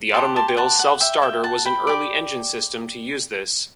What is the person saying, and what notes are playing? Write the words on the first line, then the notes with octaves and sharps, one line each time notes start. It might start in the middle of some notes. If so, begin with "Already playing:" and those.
The automobile self starter was an early engine system to use this.
G4 C5 F#5 A5
A5 C6
G5
F#5 A5
F#5
E5 G5
E5 G5
F#5 A5
G5 B5
G4 D5